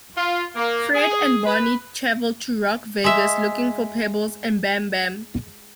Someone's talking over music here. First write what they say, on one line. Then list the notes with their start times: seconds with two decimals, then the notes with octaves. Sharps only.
Fred and Barney travel to Rock Vegas looking for Pebbles and Bamm Bamm.
0.17 F4
0.56 A#3
0.95 G#4
1.46 B4
3.04 G#3 E5